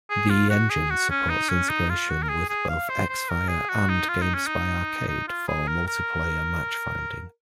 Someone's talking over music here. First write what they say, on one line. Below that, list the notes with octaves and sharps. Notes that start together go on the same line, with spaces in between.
The engine supports integration with both Xfire and GameSpy Arcade for multiplayer match finding.
G#4
F4
F#4
G#4
F#4
C#4
D#4
C#4
D#4
F4
F#4
A#4
G#4
G#4
F5
C5
C5
A#4
G#4
F#4
D#4
F4
D#4
C#4
D#4
D#4
F4
G#4
A#4
A#4